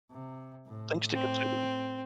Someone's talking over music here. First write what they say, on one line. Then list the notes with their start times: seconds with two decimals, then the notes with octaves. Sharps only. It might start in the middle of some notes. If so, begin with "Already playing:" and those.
things to consider.
0.11 C3
0.66 A2
1.13 C4